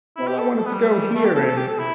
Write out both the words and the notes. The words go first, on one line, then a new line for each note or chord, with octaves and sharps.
"Well, I wanted to go here and
E4
G4
A4
A4
B3
G3
A3
G4
A4
A4
G4
A4
E4